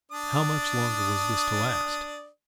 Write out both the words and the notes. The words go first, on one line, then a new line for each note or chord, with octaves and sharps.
How much longer was this to last!
D4 D5 D#6